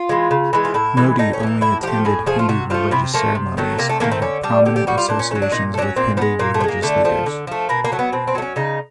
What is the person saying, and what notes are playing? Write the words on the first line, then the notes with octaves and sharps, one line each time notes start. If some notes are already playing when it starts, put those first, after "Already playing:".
Modi only attended Hindu religious ceremonies, and had prominent associations with Hindu religious leaders.
Already playing: F4
E3 G#3
C#3
E3 G#3
F4
A2 E4
E3 G#3
A2 D#4
C#4
G#3
E3 D#4
A2 E4
F3 A3 G4
A2 G#4
F3 A3 G#4
F4
C3 F#4
F3 A3 F4
C3 E4
F3 A3 A#3
C3
D#3 F#3 A3
C3 A#3
A3
D#3 F#3 A3 A#3
C4
D3 C#4
G3 D4
D3 G4
G4
G3 F#4
F4
A#2 D4
C#4
A3 C#4
F#3
D4
A#2 D#4
A3
F#3 C#4 D4
A#2 C4
F3 G#3 B3
A#2 A#3
A3
F3
G#3 A#3
D3 A3
F3 A3
D3
F3 A3
B2 A#3
A#3
F#3 A3
B3
B2 C4
C4
F#3 A3
C#4
C#3 D#4